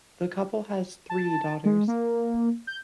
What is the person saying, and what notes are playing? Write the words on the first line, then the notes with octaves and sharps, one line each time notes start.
The couple has three daughters.
A5
G#3
A#3
G6